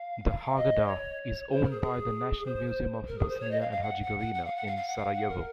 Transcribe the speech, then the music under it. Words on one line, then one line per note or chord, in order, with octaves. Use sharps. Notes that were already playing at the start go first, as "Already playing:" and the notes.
The Haggadah is owned by the National Museum of Bosnia and Herzegovina in Sarajevo.
Already playing: F5
D#5
C#5
C5
A#4
G#4
G#4
C5
A#4
G#4
C5
C#5
D#5
F5
F5
F#5
F#5
F#5
F#5
F5
F#5
F5
F5
F#5
F5
F#5
A#4